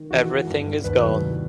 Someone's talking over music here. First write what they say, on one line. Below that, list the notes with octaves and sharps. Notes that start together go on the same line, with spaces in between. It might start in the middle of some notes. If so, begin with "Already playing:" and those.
Everything is gone.
Already playing: D#3
E2 F#4
E3
G2
G2
D#2 B4
F#3
C2